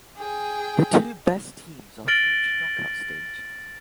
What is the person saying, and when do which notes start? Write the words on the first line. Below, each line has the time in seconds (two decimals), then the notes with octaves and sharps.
The two best teams are through to knockout stage.
0.17 G#4 G5
2.08 F6 A6 A#6 D7 F#7 G7